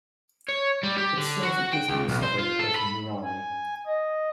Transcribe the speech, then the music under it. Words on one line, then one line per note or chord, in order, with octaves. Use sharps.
It serves the Brisbane suburb of Murarrie.
C#5
G3
G4
D3
F#4
G5
C#2
B1
C5
F4
A4
B5
G#5
D#5